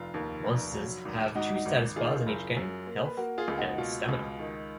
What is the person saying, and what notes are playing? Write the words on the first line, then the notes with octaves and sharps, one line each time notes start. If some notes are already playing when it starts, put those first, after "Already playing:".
Monsters have two status bars in each game, health and stamina.
Already playing: F1 F4
D#2
F1
F#3
G#1
G#2 D#4 F#4
D#4 F#4
G#1
D#3 F4 G#4
F#1
F#2
A#3
B4
A#3 F#4 A#4
F4 G#4
C#2
D#4 F#4
B2 F4
C#2
D#3